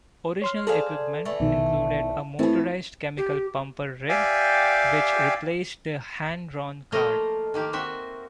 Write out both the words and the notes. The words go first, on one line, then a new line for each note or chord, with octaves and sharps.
Original equipment included a motorized chemical pumper rig, which replaced the hand-drawn cart.
C#5 C6 F6
G#4 A4 C5 D5 F5
D3 E3 A3
A#1 B2 D#3
A2 A3 B3 C4 E4
G4
G4 D5 E5 F5 G5 G#5
F3 A3 A#3 A#4 C5 D#5
D#3 A#3 G4
C4 F#4 E5